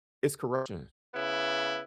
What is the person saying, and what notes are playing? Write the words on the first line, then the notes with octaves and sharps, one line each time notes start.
it's corruption.
C#3 B3 E4